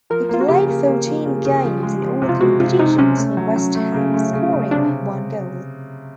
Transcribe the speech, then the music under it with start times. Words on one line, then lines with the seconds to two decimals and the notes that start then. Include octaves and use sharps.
He played fourteen games in all competitions for West Ham scoring one goal.
0.10 F3 A#4
0.29 A#3 F4
0.41 F#4
0.48 C#3 G4
0.68 A#3
0.87 A#3
1.06 F3
1.25 C#3
1.45 C#3
1.64 F3
1.83 G#3
2.02 F3
2.22 C3
2.29 F4
2.41 G#3 F#4
2.60 C3 F4
2.79 C3 D#4
2.98 C3 C#4
3.18 A3
3.37 F#3
3.56 F#3
3.75 A3
3.94 C#3
4.14 A3
4.33 C#3
4.52 C#3
4.71 C3 D4